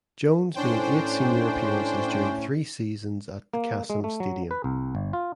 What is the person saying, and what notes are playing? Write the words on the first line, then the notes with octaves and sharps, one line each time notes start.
Jones made eight senior appearances during three seasons at the Kassam Stadium.
A2 C#4 D4 C5 G5
A#3
G#3
A3
F#3
B4
C2
G1
F4